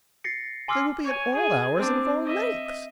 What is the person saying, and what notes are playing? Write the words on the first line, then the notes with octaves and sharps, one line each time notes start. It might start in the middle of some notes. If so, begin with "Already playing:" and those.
They will be at all hours, and of all lengths.
A6 A#6 C7 C#7
G#5 C6 D6 E6 F6 C7
C#5 G#5
G#4 G#5
C4 D4
D#5 E5